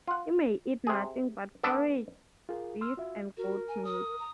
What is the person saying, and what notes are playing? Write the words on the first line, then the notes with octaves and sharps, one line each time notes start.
He may eat nothing but porridge, beef, and goat meat.
F4 F#5
C3 G#4
B3 D4 A4 D5 E5
F4 G#4 A#4
C6 E6 F6
F4 F#4 E5
F#4 A#4
G#5
D#6
A#5